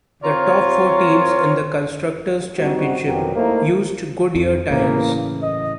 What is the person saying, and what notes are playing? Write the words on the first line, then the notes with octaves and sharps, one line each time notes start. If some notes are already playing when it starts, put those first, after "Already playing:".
The top four teams in the constructors' championship used Goodyear tyres.
C4 F4 A#4 C#5
G3 C4 D#4 F#4
F2 B2 D#3 F#3 G4 A#4
A3 A#3 D#4 E4 C5
F2
A2 C#3 E3 A#3
D#5